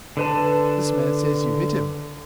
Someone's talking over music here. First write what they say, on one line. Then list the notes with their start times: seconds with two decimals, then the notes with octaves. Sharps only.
'This man says you hit him.'
0.17 D3 B4 A5